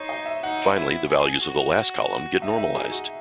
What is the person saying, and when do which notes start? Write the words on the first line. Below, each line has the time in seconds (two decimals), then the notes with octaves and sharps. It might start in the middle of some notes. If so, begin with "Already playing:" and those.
Finally, the values of the last column get normalized.
Already playing: D#4 C5 C#5
0.09 D#5
0.26 E5
0.43 D#4 F#5
0.76 E4
1.09 G#4
1.42 F#4
2.42 D#4 E5
2.58 E5
2.75 G#4
2.91 F#4